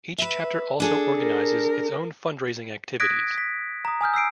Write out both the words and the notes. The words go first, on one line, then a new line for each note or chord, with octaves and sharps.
Each chapter also organizes its own fundraising activities.
B4 E5
D4 G#4 A4
A#4
D#6 F#6 G#6 A#6 B6 D7
B6
A#5 D#6
G#5 D#6 F6 G6
E6 G6 C7 D7